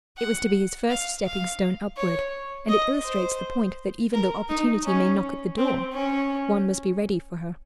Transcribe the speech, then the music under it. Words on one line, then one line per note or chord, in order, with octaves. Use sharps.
It was to be his first stepping stone upward, and it illustrates the point that even though Opportunity may knock at the door--one must be ready for her.
F#5
F5
F5
C#5
D#5
C5
A#4
D#4
C#4
C4
C#4